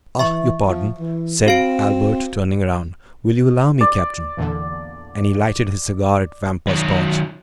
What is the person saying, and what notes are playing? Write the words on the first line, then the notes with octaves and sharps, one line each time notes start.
"Ah, your pardon," said Albert, turning round; "will you allow me, captain?" And he lighted his cigar at Vampa's torch.
E3 E5 C#6
F3
E3
C4 F#4 F5 D7
D5
E2 A#2 D3
D#3 F#3